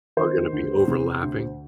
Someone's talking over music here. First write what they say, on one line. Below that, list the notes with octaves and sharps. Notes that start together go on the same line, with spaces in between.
are going to be overlapping.
D#3 C5
D2
C3
D2